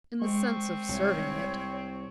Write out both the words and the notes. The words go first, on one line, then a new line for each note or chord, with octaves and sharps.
"In the sense of serving it."
G#3 C4 C#6
C2 C#5